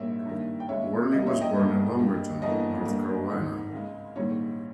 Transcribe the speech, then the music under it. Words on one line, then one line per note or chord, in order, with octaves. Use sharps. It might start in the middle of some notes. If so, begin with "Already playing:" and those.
Worley was born in Lumberton, North Carolina.
Already playing: A#1 G#2 G3 A#3 C#5 E5
G2 D#3 G3 A#3
G5
D#2 C#3 G#3 C#5 E5
E1 E2 C#3 G3 A#3 D#5
C#5 E5
D#5 G5
G1 G2 G3 A#3
G2 G3 A#3
G1 G2 E3 A#3 D#5
G1 G2 G3 A#3
G#1 G#2 D#3
C#2 C#3 G#3
A#1 G#2 D#3 G3 A#3 C#5